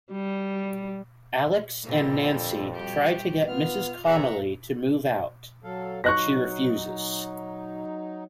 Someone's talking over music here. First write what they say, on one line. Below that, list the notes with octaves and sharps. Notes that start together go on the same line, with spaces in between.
Alex and Nancy try to get Mrs. Connelly to move out, but she refuses.
G3
F2 A#2 D3 G3
G3 F#4 G4
B3 F4 F6
E2 E5 F#5 A#5
F#3 A4 F5
F#3 D#4 C#6 F#6 A#6